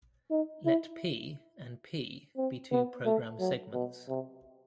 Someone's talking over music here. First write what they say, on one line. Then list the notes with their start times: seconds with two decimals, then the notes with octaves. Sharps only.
Let "P" and "P" be two program segments.
0.31 D#4
0.65 E4
2.37 C4
2.71 B3
3.05 A3
3.40 F#3
3.73 B2
4.08 C3